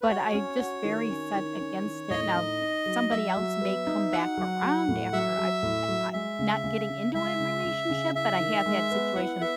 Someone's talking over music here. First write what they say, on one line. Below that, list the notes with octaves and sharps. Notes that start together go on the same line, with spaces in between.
but I just very set against it. Now, somebody else may come back around after I've I I not getting into an relationship, but I have had situations
B4
F#4 C#5
C#4
F#4
D#3
C#4
D#3
C#4
D#3
A2 D#5
D#4
D#4
F#3
F#3 E5
F#3
B3
D#4
F#4 F#5
F#3
F#3
A2
F#3 E5
F#3
A2
F#3
G#3 E5
C#3
C#3
C#3
G#3 E5
C#3
C#3
C#3
E4 E5
D#3
G#3
B3
E4 F#5
B3 E5